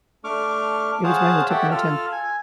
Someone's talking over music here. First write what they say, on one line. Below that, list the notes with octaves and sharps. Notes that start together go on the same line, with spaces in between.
it was right on the tip of my tongue.
A3 D4 C#6 D6 F6
G#4 C5 C#5 F5 F#5 A5
G4 A4 C#5 E5 F#5 G5
F4 A4 F6
G#5